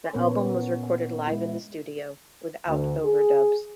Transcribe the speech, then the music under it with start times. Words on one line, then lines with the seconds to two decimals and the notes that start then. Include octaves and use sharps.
The album was recorded live in the studio, without overdubs.
0.13 A#2 B3 C#4 A#4 B4 C#5
1.28 G#3 E4
2.67 D2
3.05 G#4